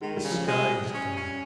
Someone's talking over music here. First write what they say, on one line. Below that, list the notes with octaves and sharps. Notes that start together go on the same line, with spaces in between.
The sky is dull.
D#3 G#3
G3
C#3
F3
G3 G#3
C#4
C#4